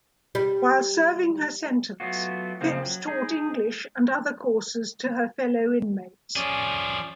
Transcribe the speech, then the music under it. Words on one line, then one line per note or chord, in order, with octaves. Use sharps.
While serving her sentence, Phipps taught English and other courses to her fellow inmates.
G3
F#3 A3 B3 F4 F#4
C#3 F3 A#3 C4
F#3
D#4 G#4
F3 C#4 G#4 D5